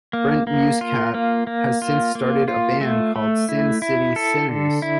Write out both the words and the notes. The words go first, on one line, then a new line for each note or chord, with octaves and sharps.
Brent Muscat has since started a band called Sin City Sinners.
A#3
A#3
F4
A#3
A#3
F4
A#3
F4
A3
A3
E4
E4
A4
D3
E4